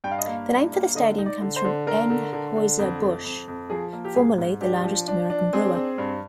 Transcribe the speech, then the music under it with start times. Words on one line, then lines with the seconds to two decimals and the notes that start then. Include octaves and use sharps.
The name for the stadium comes from Anheuser-Busch, formerly the largest American brewer.
0.04 G2 G5
0.11 F5
0.18 D#5
0.27 A#3 F5
0.50 G2
0.73 A#3
0.95 D3 D#5
1.18 D#4
1.26 D5
1.41 D3
1.56 C5
1.64 D3
1.87 D3 A#4
2.10 D3
2.33 D3
2.56 D3
2.79 F2
3.01 F2
3.24 F2
3.48 F2
3.70 F3 G#4
3.93 A#3
4.04 G4
4.15 G#2 G#4
4.38 G#2
4.61 D4 G4
4.84 F3
5.08 D4
5.30 D4
5.53 C4 G#4
5.75 C4
5.98 G2